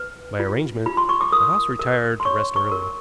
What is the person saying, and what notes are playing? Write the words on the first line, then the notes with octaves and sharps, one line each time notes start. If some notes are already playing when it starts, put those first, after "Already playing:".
By arrangement, the house retired to rest early.
Already playing: B4
F4
F4 B5
C6
C#6
D6
A#4 D#6
A#4
C6
C#5 C#6
C#6
A#4